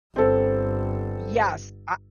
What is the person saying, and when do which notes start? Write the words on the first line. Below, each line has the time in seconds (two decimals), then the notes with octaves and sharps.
Yes, I
0.16 G1 C4 A4